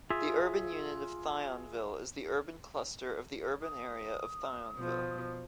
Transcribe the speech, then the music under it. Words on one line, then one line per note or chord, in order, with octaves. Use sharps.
The urban unit of Thionville is the urban cluster of the urban area of Thionville.
F4 G#4 E5
D#6
B2 F3